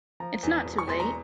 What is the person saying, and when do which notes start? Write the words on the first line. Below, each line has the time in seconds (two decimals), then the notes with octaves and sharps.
It's not too late.
0.20 F3 A#5
0.43 E2
0.65 E1
0.78 C#6
0.88 E2 C6
1.00 A#5